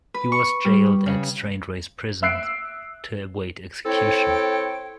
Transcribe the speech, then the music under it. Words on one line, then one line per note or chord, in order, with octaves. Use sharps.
He was jailed at Strangeways Prison to await execution.
B4
C#6
G3
C#3
E5 E6 F#6 C7 D7
C4 E4 A4 C#5 G5